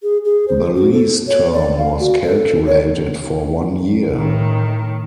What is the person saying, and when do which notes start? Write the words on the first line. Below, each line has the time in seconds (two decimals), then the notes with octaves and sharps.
The lease term was calculated for one year.
0.03 G#4
0.25 G#4
0.48 C5
0.75 F#4
0.93 A4
1.27 C#5
1.53 D5
1.78 F5
2.00 F#4
2.24 A4
2.67 C#5
4.14 A2 D#3